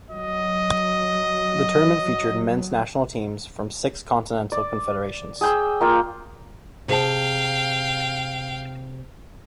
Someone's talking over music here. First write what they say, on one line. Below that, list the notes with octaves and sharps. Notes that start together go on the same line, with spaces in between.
The tournament featured men's national teams from six continental confederations.
F#3 D#5
D5
G#4 G5 E6
A#3 F4 G5
C3 G#4 F5 G5 A5